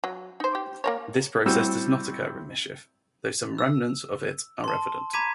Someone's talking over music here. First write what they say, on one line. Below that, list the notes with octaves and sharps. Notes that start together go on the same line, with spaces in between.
This process does not occur in Michif, though some remnants of it are evident.
F#3
D#4 C5
G4
A#3 A#4 C#5
A2 G3 C4 F#4 E6
E6
A5 C6
A#5 B5 D6 G#6 B6 D#7